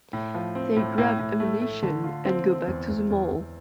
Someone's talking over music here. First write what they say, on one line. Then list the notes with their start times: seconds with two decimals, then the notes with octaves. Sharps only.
They grab ammunition and go back to the mall.
0.13 A2
0.34 F3
0.55 C4
0.76 A2
0.98 A2
1.19 A2
1.40 A3
1.61 A3
1.83 D3
2.04 F4
2.25 C4
2.47 C4
2.68 E2
2.89 E2
3.10 E2
3.32 E2